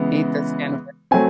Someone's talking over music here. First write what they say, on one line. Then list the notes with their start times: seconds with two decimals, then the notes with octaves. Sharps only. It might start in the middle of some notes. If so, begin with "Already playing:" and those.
Eat the skin with
Already playing: C#3 E3 G#3 B3
1.11 F#3 A3 C4 G#5